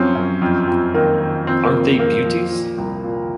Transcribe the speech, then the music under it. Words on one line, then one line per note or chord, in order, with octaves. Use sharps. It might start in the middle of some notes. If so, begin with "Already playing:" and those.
Aren't they beauties?
Already playing: F#2 F3 C4 C#4
F#2
F2
F2
D#3 A#3
D#3
F2 C4
A#3
F2
F2 A#3
F3
A#2
C2
A#2